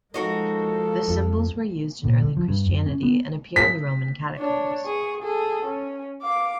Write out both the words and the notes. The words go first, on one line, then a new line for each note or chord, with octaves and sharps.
The symbols were used in early Christianity and appear in the Roman catacombs.
F3 G#3 D#4 F#4 A4 A#4
F2
A#2
D3
F3
G2
F#2
C#4
B3
B6
D4 C#5
G#4 C#6
G#4 A4
C#4
F5 D6